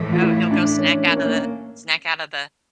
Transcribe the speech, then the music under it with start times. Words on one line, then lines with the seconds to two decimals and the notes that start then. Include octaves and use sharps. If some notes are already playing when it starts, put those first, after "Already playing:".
Oh, he'll go snack out of the snack out of the
Already playing: A2 E3 A3
0.13 F4
0.22 E4
0.51 D4
0.79 C#4
1.07 A#3
1.17 C#4
1.26 A#3